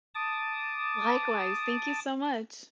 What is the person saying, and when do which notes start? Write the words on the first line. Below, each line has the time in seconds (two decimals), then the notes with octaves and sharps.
Likewise. Thank you so much.
0.15 A5 D6 D#6